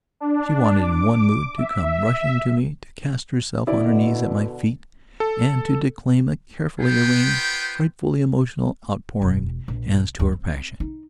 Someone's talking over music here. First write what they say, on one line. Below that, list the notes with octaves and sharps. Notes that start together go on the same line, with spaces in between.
She wanted, in one mood, to come rushing to me, to cast herself on her knees at my feet and to declaim a carefully arranged, frightfully emotional, outpouring as to her passion.
D4
D6
E5
B2 D3 E4 D5
A4
B3 F4 B4 C5 G5
E1
A#1
D2 G2
C4
D#4